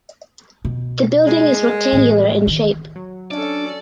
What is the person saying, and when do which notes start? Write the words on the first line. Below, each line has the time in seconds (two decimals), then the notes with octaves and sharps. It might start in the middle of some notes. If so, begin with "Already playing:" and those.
The building is rectangular in shape.
0.65 B2
1.27 G#3
1.93 A1
2.47 D#3
2.96 F#3
3.31 C#4 D4 A4 D5